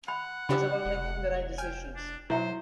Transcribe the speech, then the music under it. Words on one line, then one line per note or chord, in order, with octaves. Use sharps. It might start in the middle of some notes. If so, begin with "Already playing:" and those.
It's about making the right decisions.
F#5 B5
C#3 D4 G4 B5 D6
F1
G5 G#5 F6 G#6
D4
B2 F#3 E4 C5 E5 A#5